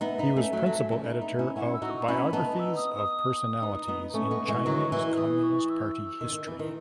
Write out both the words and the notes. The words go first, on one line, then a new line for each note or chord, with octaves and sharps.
He was principal editor of "Biographies of Personalities in Chinese Communist Party History".
B3 D#4 E5
B3 D#4
A3 C#4
F#3 A3
F#3 A3
A3 C#4
B3 D#4
B3 D#4
C#4 E4
C#4 E4 F#5
E6
D#4 F#4
C#6
C#4 E4 B5
B3 D#4 A5
E6
D#6
D#6
B3 D#4
B3 D#4
A3 C#4 C#6
G#3 B3
E3 G#3
D#3 F#3
E3
E3 D#6
C#6
E6
D#3
D#3
E3
D#3